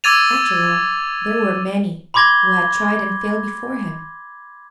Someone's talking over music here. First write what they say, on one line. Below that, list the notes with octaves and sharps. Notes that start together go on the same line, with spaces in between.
After all, there were many who had tried and failed before him.
D6 E6 G#6 A6 D#7 F7
B5 C6 D6 G#6 A#6 G7